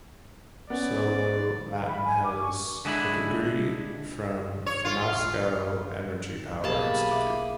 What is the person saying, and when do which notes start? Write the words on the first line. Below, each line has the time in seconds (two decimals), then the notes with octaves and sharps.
Solomatin has a degree from the Moscow Energy Power Institute.
0.70 B3 C#4 D5
1.71 F5
1.87 B5
2.04 G#5
2.24 D6
2.40 C#6
2.85 D3 G#3 D4 E4 B5
4.66 C#5
4.85 F4
6.64 B1 A#3 G4 G#4 D#5 F5 A5 B5
7.11 E5 D6